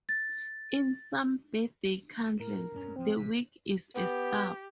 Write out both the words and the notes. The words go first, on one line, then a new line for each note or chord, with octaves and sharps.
In some birthday candles, the wick is a stub.
A6
A2 A#4
E1 G2 C#4
D1 F3 C4
A1 C3 B6
B3 G4